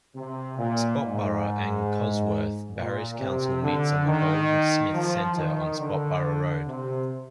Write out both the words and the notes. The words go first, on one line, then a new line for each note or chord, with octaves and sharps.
Sprotbrough and Cusworth Parish Council meets at the Goldsmith Centre on Sprotbrough Road.
C3
A#2
G#2
A#2
C3
D3
D#3
F3
D#3
D3
C3